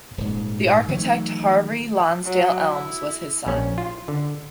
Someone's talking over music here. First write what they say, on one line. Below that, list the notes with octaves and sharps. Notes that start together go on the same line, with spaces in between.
The architect Harvey Lonsdale Elmes was his son.
D#1 G#2
D#3 E3 F#3 A3
F#3
E4
A#1 C#4
F4
D3